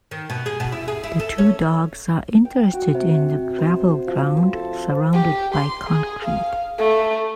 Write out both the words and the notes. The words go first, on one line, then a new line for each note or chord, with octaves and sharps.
The two dogs are interested in the gravel ground surrounded by concrete.
D#3
B2
G#4
B2
E4
G#4
E4
A4
C#4
G5
F#4
C3
C5
F3
C5
A4
G4
C6
G#4
F5
A3